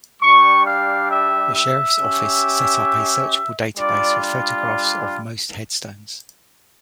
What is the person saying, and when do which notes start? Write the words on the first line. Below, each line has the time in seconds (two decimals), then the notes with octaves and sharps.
The sheriff's office set up a searchable database with photographs of most headstones.
0.21 G3 D4 G4 C#6
0.65 F5
1.11 E5
1.54 E5
1.99 C#4 G4
3.77 G3 D4 F4 D5